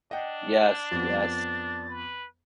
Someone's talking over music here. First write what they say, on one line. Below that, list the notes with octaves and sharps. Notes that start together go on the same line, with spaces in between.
Yes, yes.
D4 D#5 F#5 G5
F2 B3 A6
B4